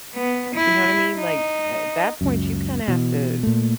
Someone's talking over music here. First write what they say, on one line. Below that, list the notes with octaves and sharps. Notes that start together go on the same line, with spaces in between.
You know what I mean? Like, uh, that point, you kinda have to,
B3
E4
D#4
C#2 F#2
B2 E3
A#2 A3